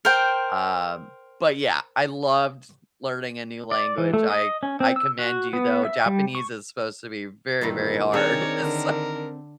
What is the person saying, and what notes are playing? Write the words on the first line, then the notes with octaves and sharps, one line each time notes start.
um, but yeah. I loved learning a new language. I I commend you though, Japanese is supposed to be very, very hard, uh, so,
A#4 C5 G5
D5
E3
A3
D#5
C#4
C4
E6
F#4
B3
E5
G3
C#6
G2 A#2 D#3 E3
D#3 C4 D4 G#4 A#4 C#5 D5
D3